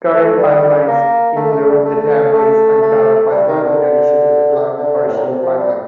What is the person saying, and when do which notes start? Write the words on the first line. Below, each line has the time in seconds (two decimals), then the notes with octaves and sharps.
Current pipelines include the Tabriz-Ankara pipeline in addition to the planned Persian Pipeline.
0.14 A3
0.38 G3
0.87 A#3
1.36 A3
1.52 A3
1.68 G3
1.85 A3
2.34 A3
2.82 A3
3.31 G3
3.48 D#3
3.63 D3
4.78 D3
5.07 A2
5.17 A#2
5.26 C3
5.42 F3
5.59 G3